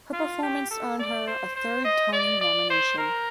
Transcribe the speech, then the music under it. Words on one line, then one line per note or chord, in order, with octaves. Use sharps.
Her performance earned her a third Tony nomination.
F4
G4
A4
D5
C5
C5
D#5
D5
D5
C5
A#4